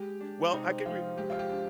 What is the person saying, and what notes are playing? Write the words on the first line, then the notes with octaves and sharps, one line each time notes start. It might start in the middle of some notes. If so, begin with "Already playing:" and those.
Well, I can re uh
Already playing: G#3 G4
D4
C3 D#4
F3 F4
G#3 G4
F4
G4
D4